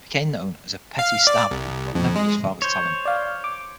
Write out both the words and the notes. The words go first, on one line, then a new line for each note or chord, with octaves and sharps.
He became known as "Petit Stab" but never had his father's talent.
F5
D5
C2
F2
G#3
C5 C#5
D5 F5
D6